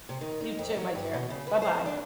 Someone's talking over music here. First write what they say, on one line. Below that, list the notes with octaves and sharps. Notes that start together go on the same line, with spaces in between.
You, too, my dear. Bye bye.
C3
D#3
D#4
F2
F#3
G2
B2
C#3
B4
C5
D4